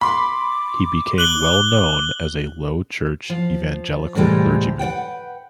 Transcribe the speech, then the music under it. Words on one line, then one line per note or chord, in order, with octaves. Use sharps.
He became well known as a low church evangelical clergyman.
B5 C6 D6
F#6 F#7 G7
F3
A2 C3 E3 G3 G#3
B4 D5 F#5 G5